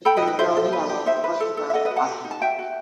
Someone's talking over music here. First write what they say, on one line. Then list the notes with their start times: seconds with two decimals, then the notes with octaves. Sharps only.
The pretty girl in yellow looked around cautiously.
0.05 A4 G5 B5
0.17 B4 D#5
0.22 D#4
0.27 B4 D#5
0.39 A4 C5 E5
0.57 A4
0.73 B4
0.89 G4
1.06 D#4 C5 E5
1.24 B4
1.40 A4
1.57 A4
1.70 E5
1.73 A4 D#5 F#5
1.85 B4 D#5
1.91 F#4
1.96 F#5 A5
2.08 G4
2.25 D#4
2.31 A5
2.42 F#4 E5 G5
2.59 F#4